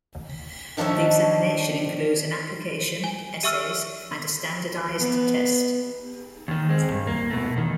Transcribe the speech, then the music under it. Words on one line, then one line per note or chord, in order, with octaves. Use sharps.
The examination includes an application, essays, and a standardized test.
D#3 F3 D4 C#5 E5
G#5 G7
G4 E5 C#6 E6 F6 D#7
B3
D#2 D#3
G#3 C4
G2
A#3
B2 A3
E2 D#3